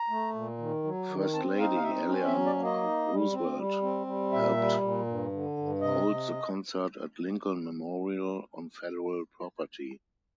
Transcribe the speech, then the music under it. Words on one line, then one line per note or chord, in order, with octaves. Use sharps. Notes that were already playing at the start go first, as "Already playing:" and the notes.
First Lady Eleanor Roosevelt helped hold the concert at Lincoln Memorial, on federal property.
Already playing: A#5
A3
A#2
D#3
F#3
D#3
C4 A5
D#4 F5
F5
C4 E5
C#4
E5
F#3
D5
A#3
D#5
D#4
G3
C4
G3
C4
G3
A#2 E5
G3
A#2
G2
D3
G2
C3 D#5
C3